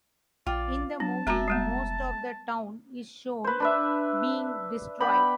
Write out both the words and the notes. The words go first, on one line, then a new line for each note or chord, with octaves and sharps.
In the movie most of the town is shown being destroyed.
A#1 F4 D5 G5
F#3 D4 A5
F1 G#3 C4 F#4 E5 A#5
G3 G#3 B3
B4 C5
D4 B4 E5
B3 D5 G5 B5